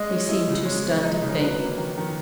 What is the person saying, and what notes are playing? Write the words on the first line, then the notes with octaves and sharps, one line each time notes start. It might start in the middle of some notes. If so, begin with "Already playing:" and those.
He seemed too stunned to think.
Already playing: G#3 D#5
C#4
E4 D#5
C#3
G#3 C#5
B3
D#4 D#5
C#3
F#3 B4
A#3
D#3
D#3